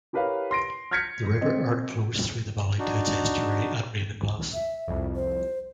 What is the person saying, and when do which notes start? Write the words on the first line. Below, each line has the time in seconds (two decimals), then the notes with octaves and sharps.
The River Irt flows through the valley to its estuary at Ravenglass.
0.13 E4 G4 A#4 B4 C#5 F5
0.51 C6 A#6 D7
0.91 F6 G6 G#6 A#6 B6 C#7
1.41 C4 D#5
2.79 D4 D#4 F#4
4.53 E5
4.88 C2 F2
5.16 C5